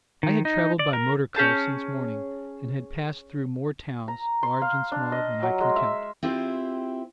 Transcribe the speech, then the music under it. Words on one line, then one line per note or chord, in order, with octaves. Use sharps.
I had travelled by motor car since morning, and had passed through more towns, large and small, than I can count.
D#3
D#4
D5
A#4
C#4 G#4 A5 G6
A#5
C6
F5
D4
D#5
F#3
G#3
E5
C4 E4 F4 G4 G#4 C5